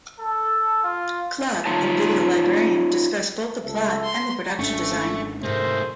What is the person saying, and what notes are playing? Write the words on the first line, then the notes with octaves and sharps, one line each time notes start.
Club, and "Video Librarian" discussed both the plot and the production design.
A4
F4
D#4 F4 C#5 A5
C#2 A4 E5
C6
G#1 A3 C#4 D4 C#6
G#2 C3 A3 G#4 A#4 C5